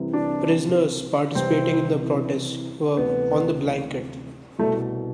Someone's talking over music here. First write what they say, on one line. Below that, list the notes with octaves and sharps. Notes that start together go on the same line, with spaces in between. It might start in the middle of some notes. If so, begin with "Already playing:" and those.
Prisoners participating in the protest were "on the blanket".
Already playing: C2 C3 E3
D4
C2 C3 E3 C4
D2 C3 E3 B3
C2 B2 A3